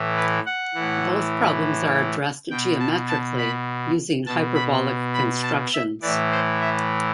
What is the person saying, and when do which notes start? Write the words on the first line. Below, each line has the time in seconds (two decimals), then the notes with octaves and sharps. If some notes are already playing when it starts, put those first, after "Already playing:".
Both problems are addressed geometrically using hyperbolic constructions.
Already playing: A2 E3
0.16 B4
0.46 F#5
0.74 A2 E3
2.50 B2 G5
2.80 A5
3.09 A5
3.38 B5
4.26 B2 A5
4.55 B5
5.14 B5
5.43 A5
5.73 E5
6.01 A2 E3 D5
6.31 C5
6.60 E5